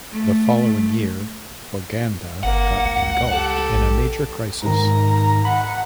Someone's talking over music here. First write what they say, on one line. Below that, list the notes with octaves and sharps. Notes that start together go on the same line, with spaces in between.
The following year Buganda got engulfed in a major crisis.
A3
G1 A#3 F#5
C#2
G4 A4
A#1
G#2 D#3 A#5
F#5 B5